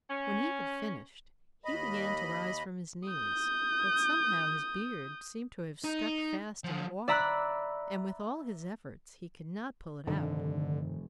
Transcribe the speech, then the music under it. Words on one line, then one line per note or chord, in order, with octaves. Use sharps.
When he had finished he began to rise from his knees, but somehow his beard seemed to have stuck fast in the water, and with all his efforts he could not pull it out.
C#4
D#2 D#5 B5
D#6 G6
D#4
F3 F#3
D5 E5 A#5 B5 E6 F#6
F1 G2 D3 D#3